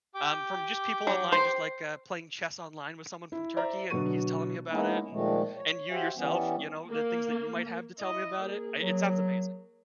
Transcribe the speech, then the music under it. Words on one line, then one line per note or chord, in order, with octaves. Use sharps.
um, from just people online, just, like, uh, playing chess online with someone from Turkey and he's telling me about it, and and you yourself, you know, the things that you might have to tell me about it. I it sounds amazing.
G4 G5 D6
F#3
C5
E4
C5 D5 E5 A#5
B2 D3 F#3 F#4 C#6 D#7
G#3 A#3 B3 C#4 D#4 E4
A#2 D#3 F3 G#3 A3
C#5
F#4 G4 C5 E5 F5 G#5
E3 G3 B3 C#4
A#3
E4 D#5
A#3 G#4
F#3